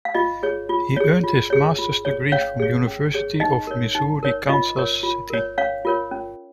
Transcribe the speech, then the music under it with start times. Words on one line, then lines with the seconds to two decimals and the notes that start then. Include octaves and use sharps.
He earned his master's degree from University of Missouri-Kansas City.
0.05 F5
0.14 F4 D#5
0.43 G#4 C#5
0.69 F4
0.97 G#4 C#5
1.24 F4
1.50 G#4 C#5
1.78 F4
2.05 G#4 C#5
2.32 C#4 C#5 F5
2.60 G#4 C#5
2.87 C#4
3.14 G#4 C#5
3.40 D#4 D#5
3.67 A#4 C#5
3.95 D#4
4.23 A#4 C#5
4.49 F4 D#5
4.76 A#4 C#5
5.03 F4
5.30 A#4 C#5
5.58 C#4 C#5 F5
5.85 F4 A#4 C#5
6.12 C#4